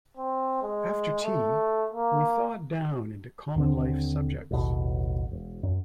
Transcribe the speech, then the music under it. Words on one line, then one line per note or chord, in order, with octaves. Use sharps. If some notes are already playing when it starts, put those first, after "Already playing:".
After tea we thawed down into common-life subjects.
C4
G#3
A3
A#3
D#2 D3 C4
A1 D#2 B2
E1
F#2